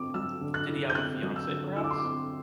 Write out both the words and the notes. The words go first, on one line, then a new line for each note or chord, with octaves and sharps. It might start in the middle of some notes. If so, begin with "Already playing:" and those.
Did he have a fiancée, perhaps?
Already playing: D3 C4 D6
F#3 E6
D3
F#6
E4
G6
C4 F#6
F#3
E6
D3
E4 E6
D6
C6
C4 D6